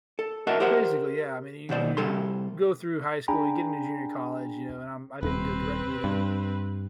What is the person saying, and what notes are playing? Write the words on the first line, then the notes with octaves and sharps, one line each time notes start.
Basically, yeah, I mean, you you go through high school, you get into junior college, you know, and I'm I didn't go directly to
A4
F#4 A#4 D#5 E5 F#5 A5
G4 A#4 C5 E5 F#5
D#2 B2 C5 D5
C3 G3 A4 C6
D4 G#4 G5 G#5 A#5 B5
D#1 C4 B4
G2